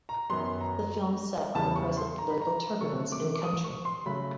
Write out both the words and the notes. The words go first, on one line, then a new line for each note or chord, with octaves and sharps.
The film set on the present political turbulence in country.
A#5
F#2 D#3 F#3 B3 C6
A#5
E2 C#3 E3 G3 A5
C#6
C6
A#5
B5
A#5
D3 F#3 A3 C#6
D6
D6
D#6
C#6
C6
C#3 F#3 A3 B5